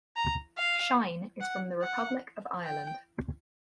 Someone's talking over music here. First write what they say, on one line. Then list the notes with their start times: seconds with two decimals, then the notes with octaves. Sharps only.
Shine is from the Republic of Ireland.
0.16 A#5
0.58 F5
1.41 F#5
1.82 F#5
2.65 G5